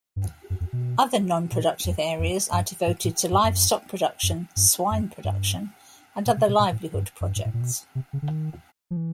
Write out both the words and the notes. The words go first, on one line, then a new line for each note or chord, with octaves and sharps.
Other non-productive areas are devoted to livestock production, swine production and other livelihood projects.
G2
F#2
F2
B2
A#2
F2
F2
G2
G#2
A2
G2
F#2
F#2
G2
F#2
G2
A#2
C3
B2
A#2
A2
G2
F#2
G2
G#2
A2
A#2
B2
C3
C#3
D3
D#3
F3
E3